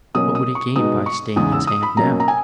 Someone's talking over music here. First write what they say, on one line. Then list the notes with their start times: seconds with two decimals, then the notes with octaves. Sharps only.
What would he gain by staying his hand now?
0.14 B2 F#3 A#3 C#4 D#6
0.35 D#6
0.55 C#6
0.76 B2 G#3 B3 D#4 D#6
1.06 C#6
1.36 E2 C#3 G#3 D#4 D#6
1.52 E6
1.67 D#6
1.83 B5
1.97 B2 F#3 A#3 C#4 A#5
2.20 A#5
2.28 G#5